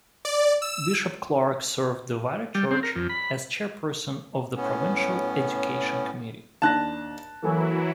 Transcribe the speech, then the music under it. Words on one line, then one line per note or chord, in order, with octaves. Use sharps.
Bishop Clarke served the wider church as chairperson of the Provincial Education Committee.
D5
E6
G3
C4
A#4
F2
B5
A2 B3 C#4
D#2 D4 A5 F#6 A#6
E3 F#3 A#3 E4 A4 G#5